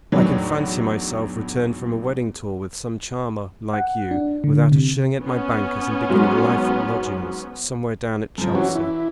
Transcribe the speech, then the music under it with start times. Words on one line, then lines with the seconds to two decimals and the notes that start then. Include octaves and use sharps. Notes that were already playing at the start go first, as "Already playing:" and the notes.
I can fancy myself returned from a wedding tour with some charmer, like you, without a shilling at my banker's, and beginning life at lodgings, somewhere down at Chelsea.
0.12 E2 A2 F#3 B3 D4 D#4
3.74 F#5
4.11 D4
4.44 D3
4.72 C3
5.20 B3 C#4
6.09 G#2 F#3
8.38 F#2 F3
8.55 E3 C#4 F#4
8.75 E4